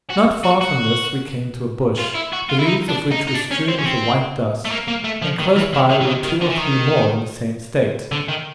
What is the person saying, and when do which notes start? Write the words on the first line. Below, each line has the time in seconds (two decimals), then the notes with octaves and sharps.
Not far from this we came to a bush, the leaves of which were strewn with a white dust; and close by were two or three more in the same state.
0.10 F#4
0.44 F#4
0.61 F#4
1.98 F4
2.14 E4
2.33 F#4
2.49 F4
2.59 E4
2.66 D#4
2.89 D4
3.12 D#4
3.28 D#4
3.35 D4
3.51 C#4
3.68 C4
3.79 C#4
3.86 C4
4.65 A3
4.71 A#3
4.88 A#3
5.04 A3
5.22 F3
5.39 D#3
5.56 E3
5.73 D#3
5.89 D#3
6.01 E3
6.06 D#3
6.24 D#3
6.41 D3
6.50 E3
6.58 D#3
8.12 D3
8.29 D#3